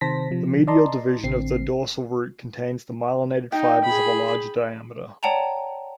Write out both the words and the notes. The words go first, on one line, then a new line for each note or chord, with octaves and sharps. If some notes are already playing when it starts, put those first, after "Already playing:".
The medial division of the dorsal root contains myelinated fibres of larger diameter.
C3 D#3 C5 A5 A#6 B6
C3 F3
D5 D#5 A5 A#5 C6
A1 D3 C4 C7
D#4 G5
G#4 B5
C#5 D5 F#5 G5 A5 A#5